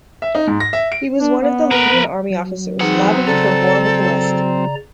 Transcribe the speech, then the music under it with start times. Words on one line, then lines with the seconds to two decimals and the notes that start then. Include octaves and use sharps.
He was one of the leading Army officers lobbying for war with the West.
0.22 E5
0.35 D#4
0.47 G#2
0.60 A#6
0.73 E5
0.92 D7
1.19 D4
1.43 B3
1.71 A#4 B4
1.94 F3
2.30 F#3
2.80 E3 C4 D#4 G#4 F#5
3.27 C#3 A4 D5 A#5